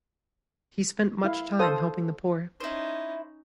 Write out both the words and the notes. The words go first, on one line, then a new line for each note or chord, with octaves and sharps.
He spent much time helping the poor.
E4 F5
A4 C5 F5 D#6
C#4 D#4 E4 C5